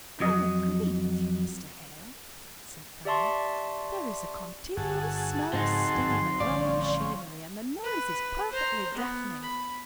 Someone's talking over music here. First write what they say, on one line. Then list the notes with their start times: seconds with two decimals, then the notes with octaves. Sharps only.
'I agree with you, Mr. Hale!' said Fanny. 'There is a continual smell of steam, and oily machinery--and the noise is perfectly deafening.'
0.20 F2 F#3 D#5
3.05 G4 D5 E5 A5 C6 C#6
4.77 G1 G2 F#4 G#4 A4
5.53 G#2 C#3 F3 C4 D#4 C6
5.94 G1 G#2 F3
6.40 A1 D3 F3 G3 C4 C#4 D5
7.84 B4
8.51 C5 A#5
8.94 B3
9.42 B5